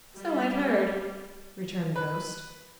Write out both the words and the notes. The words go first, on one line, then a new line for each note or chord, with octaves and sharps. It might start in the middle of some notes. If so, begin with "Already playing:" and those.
"So I've heard," returned the ghost.
G3
B4